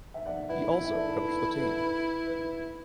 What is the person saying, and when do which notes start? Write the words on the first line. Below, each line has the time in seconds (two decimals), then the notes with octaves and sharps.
He also coached the team.
0.14 E5
0.26 D5 F#5
0.49 E4 B4 E5
0.71 E4 B4
0.85 E5
0.93 A4 D5
1.05 A4
1.15 B4
1.38 A4
1.60 B4
1.83 B4
2.27 B4